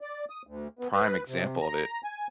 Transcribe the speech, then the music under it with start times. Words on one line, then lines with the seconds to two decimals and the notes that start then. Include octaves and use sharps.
prime example of it
0.01 D5
0.30 D#6
0.47 D2
0.79 B3
0.94 B4
1.28 C3
1.61 A#5
2.04 G#5